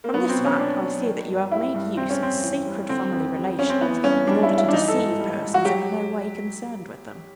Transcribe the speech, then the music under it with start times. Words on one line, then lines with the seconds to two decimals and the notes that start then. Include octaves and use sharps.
From this fact I see that you have made use of sacred family relations in order to deceive persons in no way concerned with them.
0.04 A#3
0.14 F#3 B3
0.29 C4
0.36 B2
0.45 C#4
0.60 B2 D4
0.82 F#3
1.05 D#3
1.29 G2
1.51 G3 E4
1.75 G2
1.97 C3 C4
2.10 C#4
2.20 F2 C4
2.43 E3
2.66 G3
2.89 D3 C4
3.12 F2
3.35 G3
3.58 F2 C#4
3.70 C4
3.81 E3 B3
4.04 G2 C#4
4.27 G3 D4
4.43 E4
4.50 G2
4.58 E4
4.68 D4
4.73 E3 D#4
4.88 A4
4.96 G#2
5.19 G3
5.42 G#2
5.54 F#4
5.65 F#3 G4